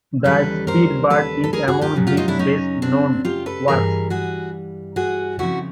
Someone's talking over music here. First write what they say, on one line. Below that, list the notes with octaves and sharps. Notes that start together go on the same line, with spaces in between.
The Speedbird is among his best known works.
D#2 C#3 E3 G3 A4 B4
A#4 C5
A4 B4
A4
G#4 A#4
F#4 G#4
F4 G4
F#2 C#3 F#3
F4 G4
D#4 F4
D4 E4
C#4 D#4
C4 D4
F4 G4
A4 B4
G2 E3 G3 G#4 A#4
F#4 G#4
F#4 G#4
F2 C#3 F3 E4 F#4